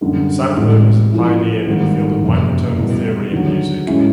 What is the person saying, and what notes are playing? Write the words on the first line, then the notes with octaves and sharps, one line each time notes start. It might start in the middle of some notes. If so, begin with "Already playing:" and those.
Sandberg was a pioneer in the field of microtonal theory and music.
F#2 D3 G3 A#3
A1 A2 E3 G#3 C4
A1 A2 F3
G#1 G#2 D#3 G3 A#3
F#1 F2 C3
E2 B2 G3
D#2 D3 F#3
A2 E3 G#3 C#4 E4